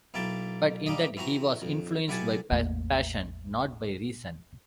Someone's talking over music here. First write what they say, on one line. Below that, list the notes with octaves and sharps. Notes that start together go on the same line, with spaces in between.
But in that he was influenced by passion, not by reason.
B1 A#3 E4 G5 A5
G3 A#3 G4 D#5
E3 C4 F#4 A#5
F2
B1 E4 G4 F#5 G#5 A5
A1 E2 A3 A#3